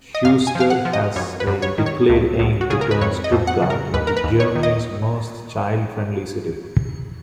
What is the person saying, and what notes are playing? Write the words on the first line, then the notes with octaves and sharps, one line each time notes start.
Schuster has a declared aim to turn Stuttgart into Germany's most child-friendly city.
D#5
F#2 F5
G#5
F3
F5
F#5
F3
D#5
F#2 C#5
B4
F#2
C#5
D#3
C#5
C#2
C#2
F#4
C#3 G#4
A#4
B4
F2 C#5
D#5
F2
F#5
C#3
A#4
D#2 B4
A#4
B4
D#2
C#5
D#3
D#5